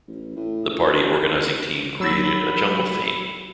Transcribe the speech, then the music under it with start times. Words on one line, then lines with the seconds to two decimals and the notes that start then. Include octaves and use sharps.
The party organizing team created a "jungle" theme.
0.07 A1
0.36 A2
0.80 B2
2.00 F#3 B5 E6